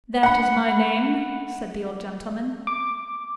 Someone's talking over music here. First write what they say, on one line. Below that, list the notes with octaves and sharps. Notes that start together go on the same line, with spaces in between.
'That is my name,' said the old gentleman.
F#5 B5
D6